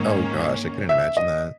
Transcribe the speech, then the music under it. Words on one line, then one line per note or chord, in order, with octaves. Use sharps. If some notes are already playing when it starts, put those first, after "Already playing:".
Oh gosh, I couldn't imagine that.
Already playing: G#2 D#3 A#3 C#4 C#5
E5
D#5